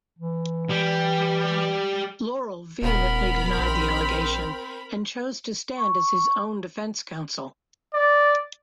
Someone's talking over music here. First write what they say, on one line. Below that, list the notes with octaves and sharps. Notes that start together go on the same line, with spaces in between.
Laurel vehemently denied the allegation and chose to stand as his own defense counsel.
E3
G3 G4
D#1 B3 A#4 B5
A#1 C4
C#6
D5